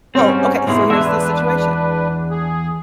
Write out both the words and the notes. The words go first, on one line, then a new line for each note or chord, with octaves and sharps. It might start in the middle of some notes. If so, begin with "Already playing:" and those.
Well, okay, so here's the situation,
G#2 G3 C4 C#4
E2 G#2 B2 G#3 E4
E2 G#3 D4 B4 E5
G#4